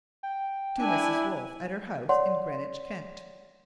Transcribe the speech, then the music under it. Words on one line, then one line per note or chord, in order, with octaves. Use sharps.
To Mrs. Wolfe, at her house in Greenwich, Kent.
G5
D4 E4 G#5
C#5 D5 F#5 C6